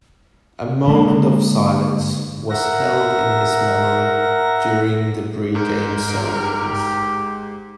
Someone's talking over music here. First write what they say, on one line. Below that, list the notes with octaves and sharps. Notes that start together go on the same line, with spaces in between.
A moment of silence was held in his memory during the pregame ceremonies.
D3 G#3 A#3
A#4 E5 F#5 A#6
G#2 A#4
G4